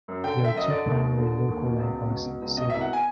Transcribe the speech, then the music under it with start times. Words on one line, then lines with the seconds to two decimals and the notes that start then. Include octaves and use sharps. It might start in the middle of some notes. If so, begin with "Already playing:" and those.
There are two primary local landmarks in this city.
0.08 F#2
0.24 D3 G5
0.39 D3
0.44 E5
0.54 F#2 D#5
0.70 D3 D5
0.86 D#2
1.02 D#2
1.17 D3
1.33 D3
1.48 D#2
1.64 B2
1.79 C#2
1.95 C#2
2.10 B2
2.26 B2
2.42 C#2
2.57 B2 D#5
2.70 E5
2.73 C2
2.81 F#5
2.93 G#5